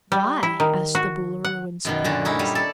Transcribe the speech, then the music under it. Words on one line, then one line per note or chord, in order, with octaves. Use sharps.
"Why?" asked the Boolooroo, in surprise.
G3
E4
D#3
F#4
F#5
F#2 B2 D#3
A#2 D3 F#4
C#4 D#4 E4
G3
A4 D5 A5